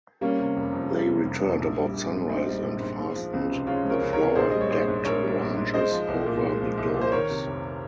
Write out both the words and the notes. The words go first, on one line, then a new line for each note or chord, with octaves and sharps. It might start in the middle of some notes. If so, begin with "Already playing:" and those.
They returned about sunrise and fastened the flower-decked branches over the doors.
G3 A#3 C#4
C3
F1
F2
G3
C3
F1
F2
A#1
G3
A#1
G#2
A#1 C4 D#4
G3
A#1
G#2
G#3
F3
C#2
C3
G#3 C#4 F4
F3
A#4 C#5
C#2
A#4 C#5
C3
A#1 G#4 C5
G3 D#5
C#5
A#1 G#4 C5
G#2
A#1 A#4 C#5
G3
A#1
G#2
G#3 C5 D#5
F3
C2
A#2
G#3
F3
C2
A#2
C5
D#3 A#4 C#5
C3
F1